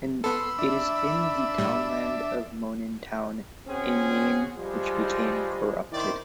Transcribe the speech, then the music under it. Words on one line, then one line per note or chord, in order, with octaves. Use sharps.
It is in the townland of Monintown, a name which became corrupted.
B3 A4 B5 C6 E6
D4 E5
A2 G3
C4 C#4 F#4 G#4
F3 G3 G#3
D#3 E4 C5 D5